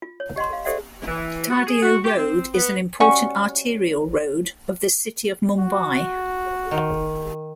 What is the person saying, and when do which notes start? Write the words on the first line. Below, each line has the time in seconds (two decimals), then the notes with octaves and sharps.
Tardeo Road is an important arterial road of the city of Mumbai.
0.02 F4
0.20 C#5
0.36 G4 D#5 F#5 C6
0.53 F5
0.65 G4 A4 C5 D5 E5 F#5
1.07 E3
1.50 F#4
1.67 G#4
1.83 F#4
2.04 G4
2.17 C4
2.55 B3
3.00 G3 C#4 F#4 C#6
5.59 F#4
6.71 D#3